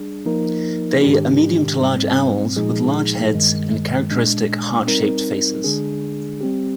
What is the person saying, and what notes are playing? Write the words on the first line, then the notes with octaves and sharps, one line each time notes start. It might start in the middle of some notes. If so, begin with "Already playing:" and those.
They are medium to large owls with large heads and characteristic heart-shaped faces.
Already playing: G3 D4 G#4
F3 A#3 D#4 A#4
G#2 D#3 G#3 D4 G4
G#2 G3 C4
A#2 F3 G#3 D#4 G#4
G2 D#3 G#3
A#2 G#3 D4
G3 C4 D#4 A#4
D3 G#3 D4 G#4
G3 C4 G4